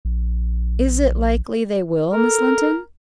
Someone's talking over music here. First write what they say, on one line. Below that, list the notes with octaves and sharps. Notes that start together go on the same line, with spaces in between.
"Is it likely they will, Miss Linton?"
A#1
A4 A#4